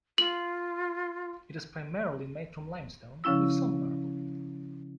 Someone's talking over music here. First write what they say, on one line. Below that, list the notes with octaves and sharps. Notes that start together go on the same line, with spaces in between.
It is primarily made of limestone, with some marble.
F4 F#7
C#3 F3 C#4 E4 E6